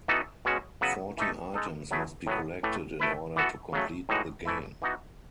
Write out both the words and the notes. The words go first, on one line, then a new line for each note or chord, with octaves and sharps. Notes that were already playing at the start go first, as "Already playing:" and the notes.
Forty items must be collected in order to complete the game.
E3 B3 D#4 F#4 A4
B2 G#3 C#4 F#4
C#3 F#3 B3 F#4 B4
E3 A3 D#4 A4
G#3 D#4 A4
F#3 A3 E4 G#4 B4
A2 F#3 B3
A2 E3 A3
A3 E4 B4
E3 B3 F#4 A4
C#3 F#3 A3
A2 E3 G#3 D#4 F#4
E3 A3 E4
E3 B3 D#4 F#4